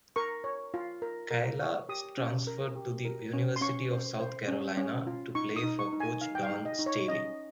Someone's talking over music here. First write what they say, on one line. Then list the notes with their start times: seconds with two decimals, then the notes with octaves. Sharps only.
Kaela transferred to the University of South Carolina to play for Coach Dawn Staley.
0.16 A#4 C#6
0.44 C#5
0.74 F4
1.02 A#4
1.31 A#4
1.60 C#5
1.89 G4 D#6
2.17 C#4
2.47 A#4
2.76 G4
3.05 A#4
3.33 C#4
3.56 C6
3.61 C#4 C#6
3.91 C5
4.20 C5
4.48 C#4
4.77 C#4
5.07 F4
5.35 D#4 C#6
5.56 D#6
5.63 D#4
5.79 C#6
5.93 D#4
6.00 G#5
6.21 D#4 F5
6.35 G5
6.43 F5
6.51 D#4
6.65 D#5
6.79 D#4
6.86 C#5
7.08 C#4 D#5